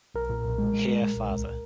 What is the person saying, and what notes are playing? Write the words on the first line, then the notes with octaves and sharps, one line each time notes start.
Here Fr.
B1 A#4
A#2
B1
G#3
G#3
G#3
A#2
B1
C#2